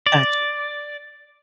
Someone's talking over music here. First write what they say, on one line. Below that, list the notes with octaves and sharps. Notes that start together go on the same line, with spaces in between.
Got you.
D5